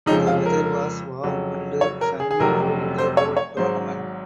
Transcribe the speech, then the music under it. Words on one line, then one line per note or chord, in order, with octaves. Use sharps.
The whether was warm and sunny during the whole tournament.
F2 C#3 F3 G#3 D#4
F4
A#4
F2 C#3 F#3
C#5
A#4
G#4
G#4
F1 F2 C3 F#3 A#4
C5
C#5
C#5
G#1 G#2 F#3 C5